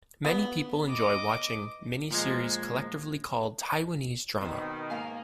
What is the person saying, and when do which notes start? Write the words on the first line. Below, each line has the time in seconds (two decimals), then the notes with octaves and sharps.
Many people enjoy watching miniseries collectively called Taiwanese drama.
0.25 B3
0.89 D#5 D6
2.11 A#2 F3 G#3
4.41 B2 D#3 C4 B4
4.90 G#2 A#3 F5 G#5